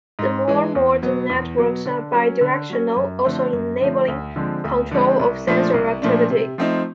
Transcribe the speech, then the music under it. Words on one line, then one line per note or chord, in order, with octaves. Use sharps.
The more modern networks are bi-directional, also enabling "control" of sensor activity.
G#2
E3 G#3
E2
B2 F#3 B3
E2
B2 F#3 B3
D3
F#3 A#3 C#4
D3
F#3 A#3 C#4
F#2
D3 F3 A3 C4
F#2
D3 F3 A3 C4
D2
D3 F3 G#3 C4
D2
D3 F3 G#3 C4
C2
A#2 F3 A3 D4
C2
A#2 F3 A3 D4
C3
F3 A3 C4 D#4